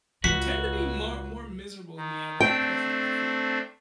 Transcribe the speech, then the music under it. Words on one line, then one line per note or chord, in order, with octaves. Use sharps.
tend to be mar more miserable than the average person, I feel.
C#2 D#3 F4 F#4 B6
D#3
A3 C4 D4 G5